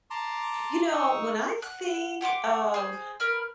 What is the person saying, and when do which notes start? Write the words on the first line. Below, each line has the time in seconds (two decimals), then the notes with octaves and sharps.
You know, when I think of
0.10 A5 A#5 C6 D6
0.93 D#4 C#6 D#6 E6
1.62 F#5 F#6
2.21 G4 F#5 C6 D6
2.74 G#4 C5
3.20 A#4 B4 B5 F6